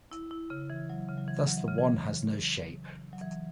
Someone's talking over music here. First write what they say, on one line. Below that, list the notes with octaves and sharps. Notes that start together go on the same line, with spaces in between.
Thus the one has no shape.
E4
E4
C#3
E3
F#3
C#3
F#3
E3
F#3
E3
C#3
E3
F#3
E3